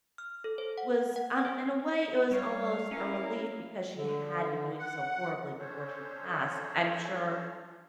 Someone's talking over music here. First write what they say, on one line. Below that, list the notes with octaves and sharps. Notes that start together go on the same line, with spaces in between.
was an in a way, it was almost a relief because she had been doing so horribly before she passed. I'm sure
F6
A4
C5
F#5
F#5
C5
G3 C#5 F5
C#4 E4 A#4
D3
F#5
C#4 D4 A4 C5 C#5